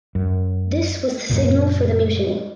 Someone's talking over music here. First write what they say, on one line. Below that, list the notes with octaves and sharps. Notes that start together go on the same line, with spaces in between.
This was the signal for the mutiny.
F#2
F#2 A#2 C#3